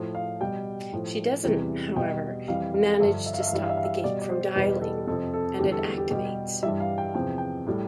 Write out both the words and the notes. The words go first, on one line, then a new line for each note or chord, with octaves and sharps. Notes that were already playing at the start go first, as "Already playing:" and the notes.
She doesn't, however, manage to stop the gate from dialing, and it activates.
Already playing: A2 F3
F5
B2 G3 G5
A2 F3
E2 C3 E3 G3
B2 G3 G5
F2 E3 G3 F5
F5
G2 D3 F3 E5
E5
F5
E5
F5
G2 E3 G3 E5
F5
E5
F5
E5
B2 G3 D5
D5
C5
E2 B2 G3 B4
A4
F2 C3 F3 A4
A4
E2 D3 G3 G4
A4
A4
G4
B2 G3 G4
G2 E3 G3 E5
F5
G5
E2 C3 F3 G5
G5
A2 G3